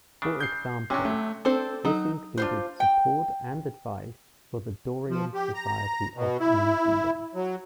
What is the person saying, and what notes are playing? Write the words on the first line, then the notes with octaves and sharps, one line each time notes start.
For example, this included support and advice for the Dorian Society of New Zealand.
C#3 D4
G6 C7
C3 F#3 C#4 D4
A3
C4 D4 A4 C5
F#3 D#4
D4 F4 C5
G5
F3
G4
A#5
B2
E4
F#3